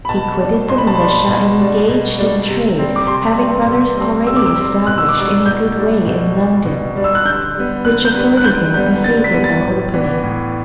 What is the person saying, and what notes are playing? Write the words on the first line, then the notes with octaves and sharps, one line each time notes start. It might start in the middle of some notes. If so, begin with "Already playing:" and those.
He quitted the militia and engaged in trade, having brothers already established in a good way in London, which afforded him a favourable opening.
B5
B2 A5
G3 D4
B2 C6
B5
A5
G3 D4 B5
B2
G3 D4
B2
G3 D4
C3
G3 C4
D6
C3 C6
G3 C4
C3
G3 C4
C3 E6
D6
E6
G3 C4
B2 F#6
E6
D6
G3 D4 E6
B2 G6
G3 D4
B2
G3 D4
B2
G3 D4
E6
F#6
D3 G6
G3 B3
D3 F#6
G6
G3 B3
F#6
D3 G6
G3 B3 G6
D3 A6
B6
G3 B3
A6
A2
E3 B3 D4
A2